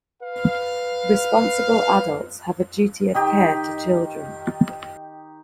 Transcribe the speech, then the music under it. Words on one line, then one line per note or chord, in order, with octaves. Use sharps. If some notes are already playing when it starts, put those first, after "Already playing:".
Responsible adults have a duty of care to children.
B4 F5
D#3 D#4 G4